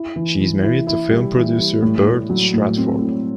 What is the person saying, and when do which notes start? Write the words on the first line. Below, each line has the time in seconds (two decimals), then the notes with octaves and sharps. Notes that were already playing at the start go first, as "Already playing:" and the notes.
She is married to film producer Bert Stratford.
Already playing: E4
0.16 E3
0.40 E3
0.63 E4
0.87 E4
1.10 G3
1.35 E3
1.58 G3
1.82 A2
2.06 A2
2.30 F#3
2.53 A2
2.77 C4
3.01 A2